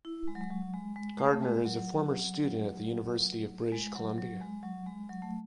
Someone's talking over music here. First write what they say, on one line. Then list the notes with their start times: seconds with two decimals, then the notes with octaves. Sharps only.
Gardiner is a former student at the University of British Columbia.
0.05 E4
0.28 G#3
0.35 F#3
0.41 G#3
0.50 F#3
0.74 G#3
0.96 G#3
1.19 A3
1.33 A3
1.43 G#3
1.65 F#3
3.72 G#3
3.95 F#3
4.18 F#3
4.41 G#3
4.63 F#3
4.87 G#3
5.09 F#3
5.22 A3